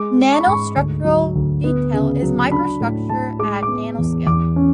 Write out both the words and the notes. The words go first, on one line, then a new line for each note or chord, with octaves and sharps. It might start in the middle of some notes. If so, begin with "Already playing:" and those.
Nanostructural detail is microstructure at nanoscale.
Already playing: G#3 D6
G#3
C#6
B5
G#2 C#6
D2
F#3
D2
B3
C#3
F#3
D4 B5
A2
A2 A5
G#3 D6
D6
B3
E2
E2 D6
C#4